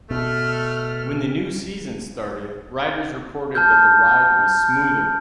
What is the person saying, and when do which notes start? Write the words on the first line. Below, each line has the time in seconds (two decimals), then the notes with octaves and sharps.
When the new season started, riders reported that the ride was smoother.
0.11 B2 A3 F6
3.55 A5 F6 G6